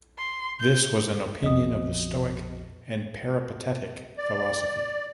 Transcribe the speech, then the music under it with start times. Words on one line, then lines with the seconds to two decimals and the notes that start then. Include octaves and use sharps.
This was an opinion of the Stoic and Peripatetic philosophy.
0.18 C6
0.60 G6
1.43 A#1 F2 B2 D#5 D#6
4.17 D5